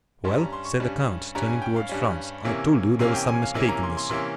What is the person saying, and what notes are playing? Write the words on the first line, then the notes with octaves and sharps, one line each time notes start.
"Well," said the count, turning towards Franz, "I told you there was some mistake in this."
G2 G3 C#4 C6
A#5
C6
C#6
G2 G3 C#4
G2 G3 C#4 A#5
G#5
G5
F5
G2 G3 C#4
C3 E3 A#3 C#4
C3 E3 A#3 C#4 F5
G5
G#5
F5
C3 E3 A#3 C#4 G#5
A#5
C6
C6
C3 E3 A#3 C#4 C6